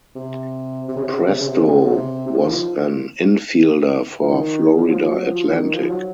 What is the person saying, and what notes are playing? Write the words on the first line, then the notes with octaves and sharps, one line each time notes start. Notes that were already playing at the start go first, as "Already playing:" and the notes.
Presto was an infielder for Florida Atlantic.
C3
C3
C#3
C3
C#3
C3
C#3
C3
C#3
C3
C#3
C3
C#3
C3
C#3
C3
C3
C#3
D#3
F3
F3
D#3
F3
F#3
F3
F#3
F3
D#3
F3
F#3